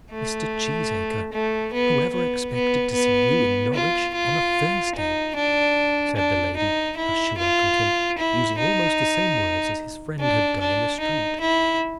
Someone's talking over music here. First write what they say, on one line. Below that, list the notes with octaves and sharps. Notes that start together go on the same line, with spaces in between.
"Mr. Cheesacre, whoever expected to see you in Norwich on a Thursday?" said the lady, as she welcomed him, using almost the same words as his friend had done in the street.
A3
A3
B3
B3
B3
B3
F4
F4
D#4
D4
D4
D#4
E4
F4
E4
D#4
D4
D4
D#4
E4